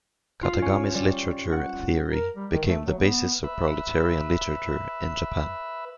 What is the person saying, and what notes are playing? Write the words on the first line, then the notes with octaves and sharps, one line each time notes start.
Katagami's literature theory became the basis of proletarian literature in Japan.
F4
C#4
G3
F#5
A#4
G3
D#3
A3
F#3
B3
B4 E5